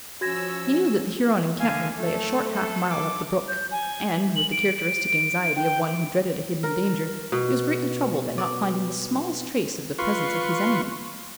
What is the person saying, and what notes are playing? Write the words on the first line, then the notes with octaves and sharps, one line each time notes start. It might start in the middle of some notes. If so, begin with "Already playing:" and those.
He knew that the Huron encampment lay a short half mile up the brook; and, with the characteristic anxiety of one who dreaded a hidden danger, he was greatly troubled at not finding the smallest trace of the presence of his enemy.
F3 C#4 F#4 E6 G#6 A#6
D3 A3 F5 G#5
F#2 A3 A4
F#3 A4
D6
G6
G#5
F#7
D7
D7
G5
A#4
B2
D5
F4 B4 C6 C#6